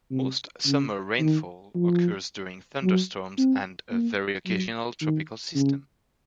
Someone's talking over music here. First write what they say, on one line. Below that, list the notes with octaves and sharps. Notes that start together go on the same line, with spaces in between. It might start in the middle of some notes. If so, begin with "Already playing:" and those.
Most summer rainfall occurs during thunderstorms and a very occasional tropical system.
C3
C#3
D#3
F3
F#3
C4
A#3
F#3
D#3
C#3